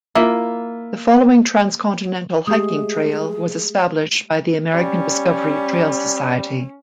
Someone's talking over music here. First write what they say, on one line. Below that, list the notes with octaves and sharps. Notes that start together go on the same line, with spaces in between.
The following transcontinental hiking trail was established by the American Discovery Trail Society.
A#3 E4 F4 E5
G#3 A3 G4 G#4 D#6
G3 C#4